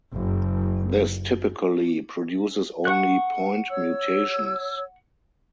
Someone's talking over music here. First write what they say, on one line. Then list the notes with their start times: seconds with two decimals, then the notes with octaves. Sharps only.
This typically produces only point mutations.
0.13 F#1
2.85 F#5 C#6 F#6
3.70 C#5 E6